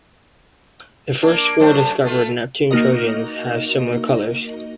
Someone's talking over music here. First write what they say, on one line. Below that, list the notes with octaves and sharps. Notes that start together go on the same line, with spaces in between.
The first four discovered Neptune trojans have similar colors.
A#3 D4
F#2 A3 C5
A3 F4
A#3 D#4 F#4 A#4 D#5